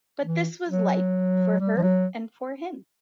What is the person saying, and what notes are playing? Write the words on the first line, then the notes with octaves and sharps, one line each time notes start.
But this was life for her and for him.
E3
F#3
G3
F3
F#3